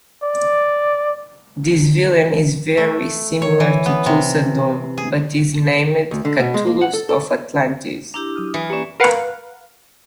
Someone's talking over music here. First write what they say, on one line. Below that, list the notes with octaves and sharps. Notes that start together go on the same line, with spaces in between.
This villain is very similar to Thulsa Doom, but is named "Kathulos of Atlantis".
D5
A3
C#5
E3
B3
C3
G#4
D2
D3
B2
G#3
A#3
F#5
A4
A4
D4 E4 G4 A#5
F#3 D#6 F6
E3
A#3 C#4 G4 D5
A#4 B4 F5 F#5